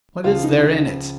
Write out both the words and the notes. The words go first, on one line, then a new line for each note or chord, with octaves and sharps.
What is there in it?
C#2 C#3 F3 F4
D#4
D#4